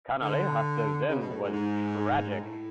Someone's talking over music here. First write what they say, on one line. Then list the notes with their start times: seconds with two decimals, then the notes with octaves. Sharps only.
Canalejas's end was tragic.
0.21 D3
1.08 C#3
1.19 B2
1.30 A2
1.42 G#2
1.53 G#2
2.29 G#2
2.41 A2